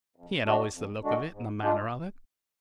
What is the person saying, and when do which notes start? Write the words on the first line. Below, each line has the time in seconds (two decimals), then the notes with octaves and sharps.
'He had always the look of it, and the manner of it.'
0.16 F2
0.46 D3 G#3 D4 F#4
0.74 F2
1.04 D3 G#3 D4 F#4
1.32 G#2
1.62 G#3 D4 F4